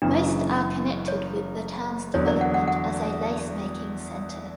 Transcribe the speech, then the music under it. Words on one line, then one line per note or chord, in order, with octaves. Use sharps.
Most are connected with the town's development as a lace-making centre.
F#1 F#2 C#3 E3 D4
C#5
E2 D3 F#3 C#5
D5
F#5
F#5
F#5